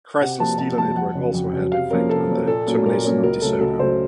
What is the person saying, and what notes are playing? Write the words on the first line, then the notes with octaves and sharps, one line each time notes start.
Chrysler's dealer network also had an effect on the termination of DeSoto.
C3 F#5
F3 A#3 A5
C3 A5
F3 A#3 A5
F2 F#5
C#3 F#3
F2
C#3 F#3
C3 F5
F3 A#3 C#4 A#4
C3 A4
F3 A#3 C#4
A#2 A4
F#3 A#3 C#4
A#2 A#4
F#3 A#3 C#4 A#4
C#2 A#4
C#3 F#3 A3 A4
C#2 A4
C#3 F#3 A3 C5